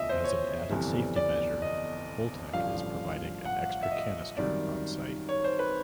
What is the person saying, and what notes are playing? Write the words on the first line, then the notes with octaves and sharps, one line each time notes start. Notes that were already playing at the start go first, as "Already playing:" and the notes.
As an added safety measure, Holtec is providing an extra canister on site.
Already playing: E1 D2 C#3 F3 D#5 E5
C5
C#5
G1 F2 C3 E3 G3
D5
D#5
A1 G2 D3 F3 F5
F#5
E5
D#5
G#1 F#2 D#3 G3 D5
C#5
C5
B4